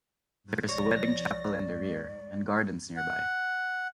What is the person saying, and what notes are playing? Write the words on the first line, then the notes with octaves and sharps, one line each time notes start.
There is a wedding chapel in the rear, and gardens nearby.
C2 F3 C#5 D5 A#6
G#2
F#5